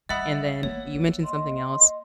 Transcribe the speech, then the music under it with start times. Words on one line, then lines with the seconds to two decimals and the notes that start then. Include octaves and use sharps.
And then you mentioned something else
0.09 G3 D#5 E5 F#5 B5 D#6 A6
0.63 A#3 B3 C#5
1.24 D#5 C6